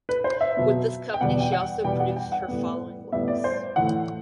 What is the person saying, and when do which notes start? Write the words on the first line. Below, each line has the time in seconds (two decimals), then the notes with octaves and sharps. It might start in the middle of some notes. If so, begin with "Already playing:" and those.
With this company she also produced her following works.
0.09 B4
0.24 C5
0.41 E5
0.57 B2 F#3 B3
1.14 G5
1.20 E2 B2 G3 B3 F#5
1.40 G5
1.52 F#5
1.84 E2 B2 G3 B3 G5
2.00 F#5
2.16 G5
2.32 F#5
2.48 A2 G3 B3
3.12 A2 G3 B3 E5
3.28 D5
3.44 C5
3.76 A2 E3 A3 F#5